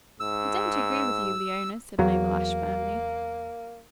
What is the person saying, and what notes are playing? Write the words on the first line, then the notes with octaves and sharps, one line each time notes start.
"I don't agree with you, Leona," said Mabel Ashe firmly.
G#2 E6
E2 F#3 A#3